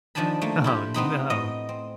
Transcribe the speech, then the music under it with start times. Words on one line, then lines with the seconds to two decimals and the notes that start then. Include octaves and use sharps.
Oh, no.
0.15 D#3 F3 D4 G#5 A5 B5
0.42 A3 A#3
0.64 E4 F4 G4
0.94 B3 C4 D#4 B5
1.30 A2 D#5
1.69 C4